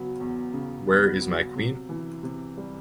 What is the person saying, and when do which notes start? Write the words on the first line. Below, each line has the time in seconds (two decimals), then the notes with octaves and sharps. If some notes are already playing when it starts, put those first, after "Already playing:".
Where is my queen?
Already playing: C#3 F#3 B3
0.20 E2
0.53 C#3
0.87 B3
1.22 F#3
1.55 C3
1.89 E3
2.23 C3
2.57 G3